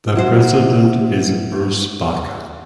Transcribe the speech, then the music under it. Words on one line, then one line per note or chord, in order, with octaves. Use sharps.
The president is Bruce Barker.
E4 F#4 C5